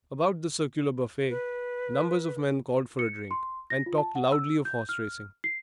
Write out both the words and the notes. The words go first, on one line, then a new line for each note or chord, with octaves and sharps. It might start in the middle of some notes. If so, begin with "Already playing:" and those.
About the circular buffet numbers of men called for drink, and talked loudly of horse-racing.
B4
C#7
C6
A#6
F4
A5
F#5
E6
G6
F6
C7